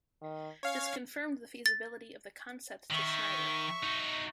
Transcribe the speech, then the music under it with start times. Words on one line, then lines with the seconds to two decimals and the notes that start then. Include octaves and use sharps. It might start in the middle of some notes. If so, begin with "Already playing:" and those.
This confirmed the feasibility of the concept to Schneider.
0.21 D#3
0.63 C#4 C#5 F5
1.66 A6
2.91 D#3 E5 C#6
3.83 D#4 F#4